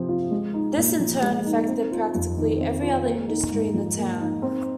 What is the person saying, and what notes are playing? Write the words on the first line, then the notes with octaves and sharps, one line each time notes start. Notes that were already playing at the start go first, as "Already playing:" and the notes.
This in turn affected practically every other industry in the town.
Already playing: C3 F3 C4
F4
G#3
D#4
A#2
F3
G#3
D#4
C4
F4
F2
D#3
C4
F4
A#3
D#4
G#2
F3
A#3
D#4
C4